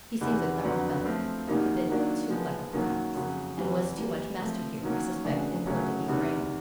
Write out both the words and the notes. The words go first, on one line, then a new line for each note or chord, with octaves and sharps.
He seems a clever fellow--a bit too clever, perhaps--and was too much master here, I suspect, in poor Dickie's reign.
E2 C3 D#3 G#3 B3
F2 D3 F#3 B3 D4
F3 A3 C4 F4
F#2 D#3 G3 A#3 D#4
D#3 F#3 A#3 D4
F3 G#3 B3
F#2 D#3 F#3 A#3
F2 C#3 F#3
E2 C3 E3 G3
E3 G3 A#3
F3 A3 C4
D#3 F#3 A#3 C#4
C#3 E3 A3 D4 F#4
F#2 C#3 F#3 A3 C#4
E2 C3 D#3